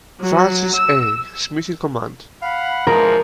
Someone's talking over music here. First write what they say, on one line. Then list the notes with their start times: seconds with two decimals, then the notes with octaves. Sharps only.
Francis A. Smith in command.
0.20 F#3
0.76 E6
2.42 F5 F#5 B5
2.87 E3 F3 G#3 A#4